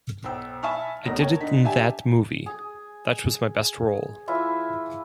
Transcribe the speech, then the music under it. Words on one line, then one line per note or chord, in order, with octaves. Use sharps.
I did it in that movie, that was my best role.
B1 C5 G5 E6
E5 G#5 A5 B5 C#6 F6
D#1 B1 B2 A3 A#4 A#6
A#4 C#5 G5 A5
D3 D#4 B6
D4 G4 E5 G#5 A5
G#4
E3 E4 F4 E5